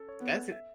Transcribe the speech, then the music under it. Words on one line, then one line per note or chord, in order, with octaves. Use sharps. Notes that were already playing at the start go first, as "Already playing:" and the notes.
that's i
Already playing: C#4 A4
C#5
B3
E5